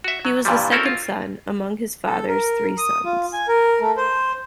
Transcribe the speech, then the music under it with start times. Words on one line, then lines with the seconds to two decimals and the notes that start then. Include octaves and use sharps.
He was the second son, among his fathers three sons.
0.04 F#4 E5
0.25 F#3
0.45 G2 A#2 E3 F3 G3
0.72 C4 C#4 E4 F#4 A4 A#4
0.86 F4
2.06 A4
2.28 A#4
2.78 D#6
3.05 F4
3.33 G#5
3.48 A#4
3.81 A3
3.97 C5